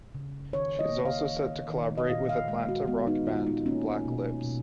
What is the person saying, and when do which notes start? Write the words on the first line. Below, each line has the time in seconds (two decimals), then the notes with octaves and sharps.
She is also set to collaborate with Atlanta rock band Black Lips.
0.15 C#3
0.53 D#3 C#5
0.79 D#5
0.92 A#3
1.05 F5
1.31 D#3
1.70 D#3
1.98 D#5
2.09 A#2 F5
2.29 F5
2.48 G#3 F5
2.69 F#4
2.87 G#3 B3
3.07 D#4
3.27 A#2 F4
3.46 D#4
3.66 A#3 C#4
4.05 B2
4.44 B2